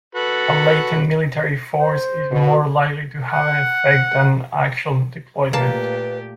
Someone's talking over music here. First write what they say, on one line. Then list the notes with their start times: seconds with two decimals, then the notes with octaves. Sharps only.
A latent military force is more likely to have an effect than actual deployment.
0.15 F#4 A4 B4
1.80 C5
2.31 B2
3.32 F#5
5.53 A#2 A3 A#3 G4 B4 A5